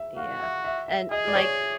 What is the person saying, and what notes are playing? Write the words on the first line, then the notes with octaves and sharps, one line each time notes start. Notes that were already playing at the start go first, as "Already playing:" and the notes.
Yeah. And my
Already playing: E5
F#4 F5
E5
E5
E5
G#4 D#5
D5
C#5